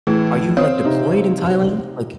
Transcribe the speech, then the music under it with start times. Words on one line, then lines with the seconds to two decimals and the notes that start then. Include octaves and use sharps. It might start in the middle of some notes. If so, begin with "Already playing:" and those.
Are you, like, deployed in Thailand? Like
0.07 A2 E3 G#4
0.57 C4 C#5 F5 D#6
0.84 C3 D#4